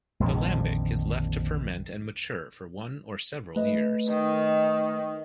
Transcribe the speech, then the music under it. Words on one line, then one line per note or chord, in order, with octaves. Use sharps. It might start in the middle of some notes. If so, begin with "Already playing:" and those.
The lambic is left to ferment and mature for one or several years.
A#1 F2 D3 D#3
A3 B4 D#5
D#3